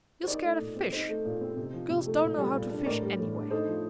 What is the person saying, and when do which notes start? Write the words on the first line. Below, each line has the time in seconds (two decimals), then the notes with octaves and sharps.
"You'll scare the fish. Girls don't know how to fish, anyway."
0.23 C5
0.27 D#4 A#4 D5
0.44 A3
0.60 A#2
0.76 C4
0.92 D#4 C5 D#5
1.08 A3
1.25 A#2
1.41 C4
1.57 C3
1.73 F3
1.89 C3
2.06 A3
2.22 A#2
2.38 G3
2.54 A#2
2.70 D4
2.86 A2 A#4 D5
3.02 G3
3.19 A2
3.35 D4
3.50 D#4 A4 C5
3.67 F3